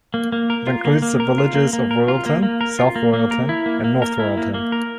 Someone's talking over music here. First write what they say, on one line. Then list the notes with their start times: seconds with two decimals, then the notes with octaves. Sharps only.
It includes the villages of Royalton, South Royalton, and North Royalton.
0.14 A#3
0.32 A#3
0.50 A#4
0.67 F4
0.85 A#3
1.02 A#3
1.20 A#4
1.38 F4
1.55 A#3
1.73 A#3
1.91 A#4
2.08 F4
2.26 A#3
2.43 A#3
2.61 A#4
2.79 F4
2.96 A#3
3.13 A#3
3.31 A#4
3.49 E4
3.66 A#3
3.84 A#3
4.02 A#4
4.19 E4
4.37 A#3
4.54 A#3
4.72 A#4